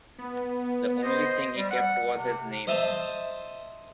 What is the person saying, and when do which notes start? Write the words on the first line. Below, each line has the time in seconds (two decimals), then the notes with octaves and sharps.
The only thing he kept was his name.
0.19 B3
1.03 C5 D#5
1.56 G3
1.71 F#5
2.16 C3
2.67 C5 D#5 E5 A5 A#5